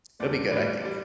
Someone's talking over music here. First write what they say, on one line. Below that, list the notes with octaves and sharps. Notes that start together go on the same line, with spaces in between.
it'll be good, I think.
E2 B2 G3 D5
A2 E3 G3
G3 D5